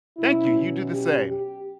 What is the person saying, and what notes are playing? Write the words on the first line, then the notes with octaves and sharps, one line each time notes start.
Thank you, you do the same.
B2 F#3 C#4 E4
G4
G4